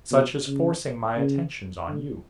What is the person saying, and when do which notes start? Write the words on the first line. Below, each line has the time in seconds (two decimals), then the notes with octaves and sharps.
Such as forcing my attentions on you.
0.11 B2
0.46 C#3
1.17 C#3
1.87 D3